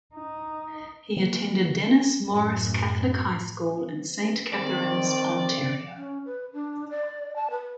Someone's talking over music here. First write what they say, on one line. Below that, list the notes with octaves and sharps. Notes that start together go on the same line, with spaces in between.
He attended Denis Morris Catholic High School in Saint Catharines, Ontario.
D#4
E3 F#3 G3 A#3
F#2 A2
D#3 C4 D5
C#4
B4
D4
D5
A5
B4